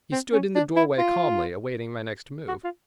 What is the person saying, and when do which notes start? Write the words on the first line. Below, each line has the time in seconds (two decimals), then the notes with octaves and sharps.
He stood in the doorway calmly awaiting my next move.
0.12 C4
0.33 C#4
0.55 D4
0.76 E4
0.98 F4
2.48 F#4
2.64 F4